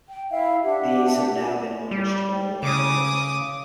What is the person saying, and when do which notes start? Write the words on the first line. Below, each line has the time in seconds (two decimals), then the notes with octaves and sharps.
These have now been launched by the Royal Mint.
0.09 G5
0.31 E4 E5 F5
0.64 D4 G4 E5 F#5
1.91 G3
2.63 C#3 D6 D#6